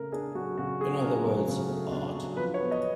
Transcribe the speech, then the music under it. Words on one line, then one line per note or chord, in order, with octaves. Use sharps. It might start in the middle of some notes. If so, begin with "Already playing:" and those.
In other words, Art.
Already playing: C#3 A3 A#4
D4 G#4
F#3 F#4
C#3 F#4
A3 G#4
D4 A#4
F#3
C#3
A3
D4
F#3
F3 B4
C#5
B3
D#5